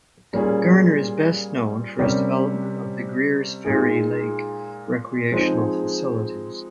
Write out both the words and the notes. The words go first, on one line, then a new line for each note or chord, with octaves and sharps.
Garner is best known for his development of the Greers Ferry Lake recreational facilities.
A#2 G3 A#3 C#4 G#4
C3 G3 C#4 G4 A#4
A#2 G#3 D#4 G#4
F3 G#3 C4 D#4 G#4